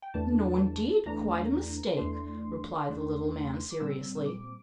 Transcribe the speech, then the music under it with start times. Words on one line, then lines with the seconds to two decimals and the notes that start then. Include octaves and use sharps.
"No, indeed; quite a mistake," replied the little man, seriously.
0.02 G5
0.14 E2 E3 A3 D4 A5
1.06 E2 E3 A3 D4 A#5
1.97 E2 E3 A3 D4 C6
2.89 E2 E3 A3 D4
3.71 D6
3.80 A#2 G3 C4 E6
4.26 D6